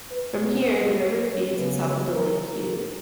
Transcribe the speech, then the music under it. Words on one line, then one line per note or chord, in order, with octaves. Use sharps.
From here the river feeds itself into Lake Youd.
B4
B2 G#3 B3 C#5
B4
C#5
C#5
C#3 G#3 B3 B4
C#5
A#4